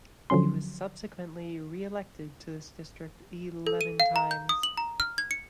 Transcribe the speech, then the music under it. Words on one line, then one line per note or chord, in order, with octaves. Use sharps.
He was subsequently reelected to this district eleven times.
D3 F3 F#3 C#4 C6
A4
D#7
F5
A#5
G6
D#6
F#7
A#5
F6
G#6
C#7